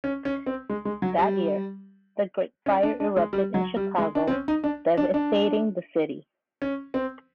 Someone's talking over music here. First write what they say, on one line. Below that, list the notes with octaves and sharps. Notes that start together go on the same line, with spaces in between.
That year, the Great Fire erupted in Chicago, devastating the city.
C#4
C#4
C4
G#3
G#3
F#3
G3
C#4
D4
D4
G#3
G3
F#3
G3
G#3
D4
C4
C#4
D#4
D4
D4
D4
C#4
C4